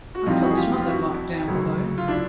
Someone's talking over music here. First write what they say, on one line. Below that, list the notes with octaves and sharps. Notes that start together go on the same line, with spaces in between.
I felt smothered like down below.
F#4
F2 C3 E3 G3 D#4 F4
E4 F#4
G#4
F4 G4
F4 G4
F4
E4 F#4
D2 C#3 F#3
F4
D4 E4